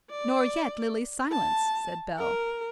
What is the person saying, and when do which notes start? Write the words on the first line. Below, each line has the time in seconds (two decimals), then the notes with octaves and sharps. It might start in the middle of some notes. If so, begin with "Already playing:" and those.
"Nor yet Lily's silence," said Bell.
0.11 D5
1.31 A5
2.18 A#4